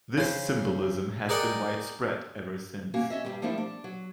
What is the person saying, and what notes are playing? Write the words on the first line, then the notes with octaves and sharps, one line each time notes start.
This symbolism has been widespread ever since.
C#3 C5
G#4 A#4 D5 D#5 F#5 G5
A#3 C#4 F#4
C#4 D#5 E5
G2 D#3 G3
F3 G3 A3 A#3 D4 E4
D4
F#3